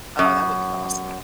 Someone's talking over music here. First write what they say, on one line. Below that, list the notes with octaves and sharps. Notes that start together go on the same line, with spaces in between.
oh, that would be awesome.
F#2